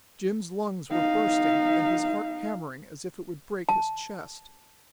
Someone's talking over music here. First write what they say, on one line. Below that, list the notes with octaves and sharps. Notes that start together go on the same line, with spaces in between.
Jim's lungs were bursting, and his heart hammering as if it would break his chest.
D#4 F5
A5